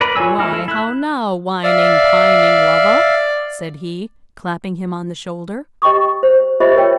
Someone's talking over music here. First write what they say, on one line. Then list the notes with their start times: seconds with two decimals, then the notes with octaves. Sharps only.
"Why how now, whining, pining lover?" said he, clapping him on the shoulder.
0.01 A#4 B4 D5
0.16 F4 A4 C#5 G#5 E6
0.38 G#3 A3 D#4 E4 F6
0.52 A4
0.68 E4 F#6
1.64 D5 E5 F5
5.82 G4 D#5 G5 C#6 D#6
6.23 C5
6.60 F4 G4 C5 D#5 E5
6.76 A#4 C#5 G5